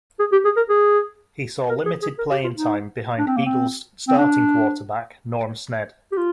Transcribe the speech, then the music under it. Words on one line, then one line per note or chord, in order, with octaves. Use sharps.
He saw limited playing time behind Eagles starting quarterback Norm Snead.
G#4
G4
G#4
A#4
G#4
A#4
G#4
G#4
A#4
G4
F4
D#4
D4
C4
A#3
C4
C4
D4
G4
F4